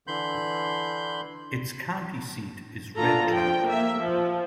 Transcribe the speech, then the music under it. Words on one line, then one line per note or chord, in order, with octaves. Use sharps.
Its county seat is Red Cloud.
D3 E3 B5 C6 G6
D3 F4 A4 A#5
F3 G5
A#3 E5
F3